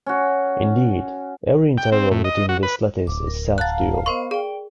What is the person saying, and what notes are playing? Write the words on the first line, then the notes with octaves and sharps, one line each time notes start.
Indeed, every interval within this lattice is self-dual.
C#4 F#4
G5
C4
A2
D#5
F#4
B4
D1 D6
A#4
F5 F#5 A5 A#5 F#6 A6
B3 A#4 C5 D#5 C6 C#6
G#4 D5 G5